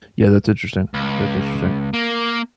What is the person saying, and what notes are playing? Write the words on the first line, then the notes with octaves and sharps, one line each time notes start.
Yeah, that's interesting. That's interesting.
C#2
A#3